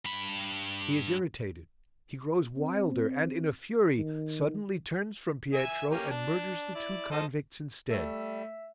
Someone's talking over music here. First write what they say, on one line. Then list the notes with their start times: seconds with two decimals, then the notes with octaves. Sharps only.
He is irritated, he grows wilder and, in a fury, suddenly turns from Pietro and murders the two convicts instead.
0.05 G2 B5
2.57 C4
3.98 D#3
5.54 E5 G#5
5.91 A#3 C#4 G4
6.10 D4
6.75 E4 D5
7.11 A4 C5 D#5
7.90 G3 A3 E5 E6